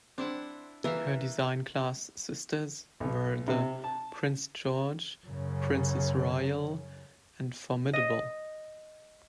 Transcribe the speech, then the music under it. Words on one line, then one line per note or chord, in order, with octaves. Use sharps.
Her design class sisters were the "Prince George", "Princess Royal", and "Formidable".
C4 D4 E4 F#5
E3 A#4 E5 F5
B1
C3
A5
F#2 C#3
D#5